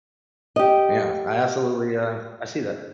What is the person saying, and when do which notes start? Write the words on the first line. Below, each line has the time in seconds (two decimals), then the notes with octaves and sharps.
Yeah. I absolutely, uh, I see that.
0.56 G4 D#5